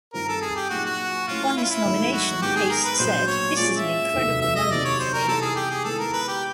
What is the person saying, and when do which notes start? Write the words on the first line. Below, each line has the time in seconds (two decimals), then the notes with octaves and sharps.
On his nomination, Pace said, This is an incredible moment for me.
0.13 G2 D#3 G3 C4 F4 A#4
0.28 A4
0.41 G#4
0.56 G4
0.70 A#2 F#3 A#3 D#4 F#4 G#4
0.85 F#4
1.28 A2 F3 A3 C#4 F4
1.57 E4
1.64 F4
1.71 E4
1.85 G#2 D#3 F#3 A3 C4
2.13 F#4
2.42 G#2 D#3 G#3 B3 G4
2.56 G#4
2.70 A#4
2.85 B4
2.99 A#1 A#2 F#3 B3 C5
3.27 C#5
3.56 A#2 F3 G#3 C#4 F4 D5
3.76 E5
4.14 F1 D#2 D#3 F#3
4.41 E5
4.56 D#5
4.71 C3 D#3 F#3 B3 D5
4.85 C#5
5.00 C5
5.13 A#4
5.28 C3 E3 G3 B3 D#4 A4
5.41 G#4
5.56 G4
5.71 G#4
5.84 D#3 G#3 B3 E4 A4
5.99 A#4
6.13 B4
6.28 G4